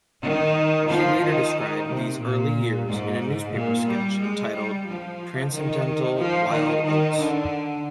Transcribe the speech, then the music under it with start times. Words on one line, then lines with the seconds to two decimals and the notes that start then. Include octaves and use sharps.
She later described these early years in a newspaper sketch entitled "Transcendental Wild Oats".
0.22 D#3
0.89 F3
1.22 D#3
1.88 C3
2.20 A#2
2.87 G#2
3.54 A#2
3.86 G3
4.19 G#3
4.52 G3
4.86 F3
5.51 D#3
6.17 F3
6.51 D#3
6.84 D#3
7.18 D3